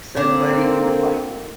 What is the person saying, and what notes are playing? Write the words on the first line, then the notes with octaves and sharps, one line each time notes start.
Sudbury in the final.
D3 A#3 C4 D4